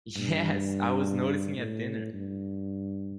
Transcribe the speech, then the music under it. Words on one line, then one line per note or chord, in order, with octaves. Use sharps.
Yes, I was noticing at dinner.
G2
A2
G2